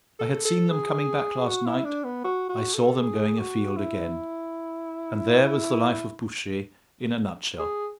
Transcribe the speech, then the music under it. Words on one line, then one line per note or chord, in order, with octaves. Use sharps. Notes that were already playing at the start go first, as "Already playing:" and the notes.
I had seen them coming back last night, I saw them going afield again; and there was the life of Bouchet in a nutshell.
A4
A4
G#4
F#4
E4
D4
B3
F#4
F#4
A4
G#4
F#4
E4
G#4